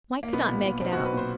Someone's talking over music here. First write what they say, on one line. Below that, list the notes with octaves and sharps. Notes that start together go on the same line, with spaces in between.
Mike could not make it out.
A#3
B1 B3
A#2
A#2
B1 C4
B1 F#4
B4
A#2 C5